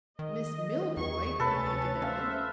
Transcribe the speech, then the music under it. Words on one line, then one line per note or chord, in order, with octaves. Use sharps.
"Miss Milroy!" repeated Allan.
D#3 D#5
E2 G#4 C#6
D2 C3 C#4 A4 B4 A6
C#4 C5 E5 F5